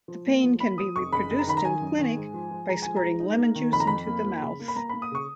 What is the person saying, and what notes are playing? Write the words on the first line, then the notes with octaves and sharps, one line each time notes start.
The pain can be reproduced in clinic by squirting lemon juice into the mouth.
F3
A#3
F3
A#3 B5
F3 D#6
F1 C#6
F#1 B5
F#1
A#5
D#3 B5
A#5
D#3 G#5
F#2
D#3
G#2
F3
F3
G#3 A#5
F3 G#5
A#5
G#3
D#4
A#3
D#3
F2 B5
A#5
F2 B5
A#3
F3
C#3
A#3
B5
A#3 A#5
A#3 B5
D#6
C#3 C#6